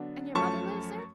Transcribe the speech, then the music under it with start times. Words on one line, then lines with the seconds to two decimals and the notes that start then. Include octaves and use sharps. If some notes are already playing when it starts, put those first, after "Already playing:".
And your mother lives there?
Already playing: D3 F#3 B3 D4
0.35 F#2 F3 A3 C#4 A5 C#6